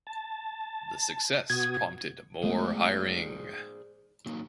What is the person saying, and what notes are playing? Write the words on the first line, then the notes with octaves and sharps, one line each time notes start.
The success prompted more hiring.
A5
B2 F#4 D#6 G#6
G#3 A3 B3 G#4 C5 D5
F#3 A#3 D#4